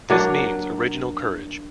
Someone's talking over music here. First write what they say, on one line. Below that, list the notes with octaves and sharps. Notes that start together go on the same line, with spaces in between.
This means original courage.
F#3 A#3 D4